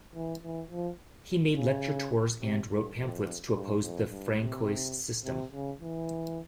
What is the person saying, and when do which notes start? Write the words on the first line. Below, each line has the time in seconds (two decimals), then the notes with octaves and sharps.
He made lecture tours and wrote pamphlets to oppose the Francoist system.
0.15 E3
0.43 E3
0.71 F3
1.56 C#3
2.41 C3
2.70 G2
2.97 F2
3.54 G2
3.83 F2
4.10 G2
4.39 C3
5.24 C3
5.52 C#3
5.80 E3